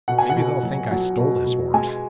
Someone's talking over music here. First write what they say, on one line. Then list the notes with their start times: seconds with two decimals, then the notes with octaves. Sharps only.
'Maybe they'll think I stole this horse.
0.08 B2 F#5
0.18 G#5
0.30 F#5
0.36 B2
0.63 F#3
0.91 F#3
1.19 B2
1.46 B2
1.74 G#3 G#5